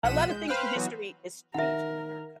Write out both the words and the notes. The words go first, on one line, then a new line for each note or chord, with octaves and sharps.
a lotta things in history has changed in America,
B1 F3 F#5 B6 D#7 E7
G#3 G6
B4 C5 F5 G5 F6 F#6
E3 F#3 B3 F#4
D#3 A#4 E5 F#5